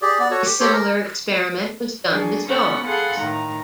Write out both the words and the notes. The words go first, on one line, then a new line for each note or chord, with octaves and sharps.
A similar experiment was done with dogs.
G4 G#4 D5
B3 D5
F#4 A4 C#5
G4
G4 A4 C5 C#5
A#4
F#3 D4 G#4
B3 C#4 A4 F#5 C#6
G#4 A4 F5 F#5 B5 C6
A2 D#3 A#5